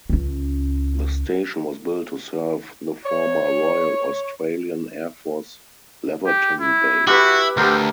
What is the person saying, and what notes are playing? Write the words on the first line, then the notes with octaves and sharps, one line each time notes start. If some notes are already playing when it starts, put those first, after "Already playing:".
The station was built to serve the former Royal Australian Air Force Laverton base.
C#2 C#4
C#5
G4
E4
E4 F#4 G4 B4
D2 G4 A#4 C5